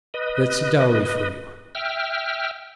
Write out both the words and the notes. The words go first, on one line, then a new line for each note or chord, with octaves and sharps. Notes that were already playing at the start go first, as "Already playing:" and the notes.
That's a dowry for you.
B4 D#5
E5 G5 F6